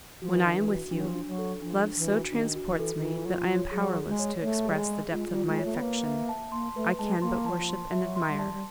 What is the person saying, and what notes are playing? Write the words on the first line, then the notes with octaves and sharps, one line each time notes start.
When I am with you, love so transports me that I am powerless to express the depth of my affection; I can but worship and admire.
F3 F#4
E3
D#3 D4
E3
F#4
F3 D4
F#3
F3
D4
F#3
A4
F3 D4
D4
E3
F#4
D#3 D4
F#4
E3
A4
D#3
E3 F4
F#3 F4
F3
C#5
F#3 G#4
G#4
G#3
C#5
A3 C#5
G3 G#4
G#3
G#4
G#3 F4
G3
F4
G#3
C#5
A3
B3
A#3 B4
E5
A5
A#3 C6
A3 B4
G#3 A5
A#3 C6
F#3 A5
F3
C6
F#3 E5
C6
G3
A5
G3